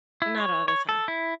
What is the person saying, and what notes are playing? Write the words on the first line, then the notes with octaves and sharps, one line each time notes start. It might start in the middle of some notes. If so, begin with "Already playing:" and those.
Not all the time.
E4
C#5
C#5
A4
E4